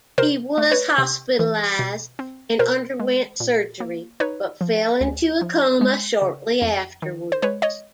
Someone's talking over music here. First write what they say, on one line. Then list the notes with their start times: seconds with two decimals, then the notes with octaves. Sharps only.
He was hospitalised and underwent surgery, but fell into a coma shortly afterwards.
0.18 C3 A#4 C5
0.58 A3
0.71 B4 C#5
0.98 C3
1.39 E3
1.79 B2
2.19 C4
2.59 B2 A#4 C5
3.00 G#3
3.40 A#2
3.80 A#3
4.20 D#4 B4 C#5
4.61 F3
5.01 D2
5.41 F3
5.81 G#3
6.22 C#3
6.62 F2
7.02 D#3
7.32 C5
7.42 G#3 B4 C#5
7.62 C#5 D#5